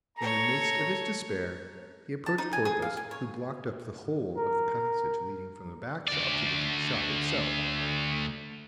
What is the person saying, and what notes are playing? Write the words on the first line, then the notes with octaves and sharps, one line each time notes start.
In the midst of his despair, he approached Porthos, who blocked up the whole of the passage leading from the back shop to the shop itself.
A4 C#5 A#5
A5
D#4
G#5
G#4
F5
G#5
C#5
A#4
D2 D5